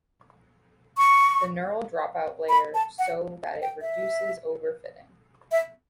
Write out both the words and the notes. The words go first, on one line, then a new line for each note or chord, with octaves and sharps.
The neural dropout layer so that it reduces overfitting.
C#6
B5
A5
F#5
G5
E5
E5